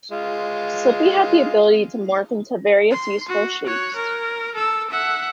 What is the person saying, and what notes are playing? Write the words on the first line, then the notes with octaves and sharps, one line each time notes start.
Slippy had the ability to morph into various useful shapes.
G#3 F4
C6
F#4
C#5 F#6
A#4
A4 E6
E5 F#5